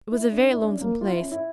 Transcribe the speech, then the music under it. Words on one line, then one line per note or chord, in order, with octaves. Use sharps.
It was a very lonesome place.
E4
D4
E4
D4
C#4
A#3
F4
E4
C#4
E4